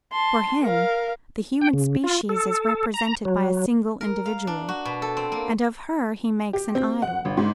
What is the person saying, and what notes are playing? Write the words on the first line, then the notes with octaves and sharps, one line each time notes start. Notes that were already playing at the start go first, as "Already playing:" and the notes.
For him, the human species is represented by a single individual, and of her he makes an idol.
A5 C6
A#4 F5
G5
C#3
F4
A4
A#5
F#3
A#4
F5
D4
F#4
B2
A4
C4
A#3
G4
C4
F#5
G1
G#2